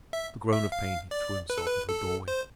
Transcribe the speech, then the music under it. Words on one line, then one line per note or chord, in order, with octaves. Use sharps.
With a groan of pain he threw himself into a doorway.
E5
E5
F5
D5
B4
A4
B4
A4
C5